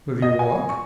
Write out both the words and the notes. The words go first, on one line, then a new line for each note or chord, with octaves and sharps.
"Will you walk?"
D#5
G#5
C#6